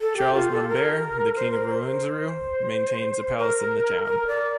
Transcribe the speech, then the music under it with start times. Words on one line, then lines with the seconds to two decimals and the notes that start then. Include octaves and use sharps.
Charles Mumbere, the king of Rwenzururu, maintains a palace in the town.
0.01 A4
0.17 G4
0.34 F4
0.51 A4
0.69 A#4
1.36 C5
1.52 A#4
1.69 C5
1.86 C5
3.37 A#4
4.05 A#4
4.27 D5